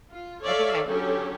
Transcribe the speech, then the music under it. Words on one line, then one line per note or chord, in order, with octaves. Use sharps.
I think my
F4
A4 C#5 D5 E5 F5
D3 F#3 C#4 G4 A4